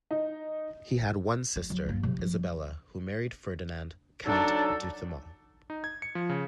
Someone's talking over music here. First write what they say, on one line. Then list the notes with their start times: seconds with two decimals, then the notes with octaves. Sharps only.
He had one sister, Isabella, who married Ferdinand, count d’Outhement.
0.11 D#4
1.56 G3
1.70 F#3
1.86 G2 A#3
2.03 C3 F#3
2.19 F3
4.26 F#3 D4 D#4 A4
5.70 D#4
5.84 G#6
6.02 C#7
6.15 F3
6.29 C#3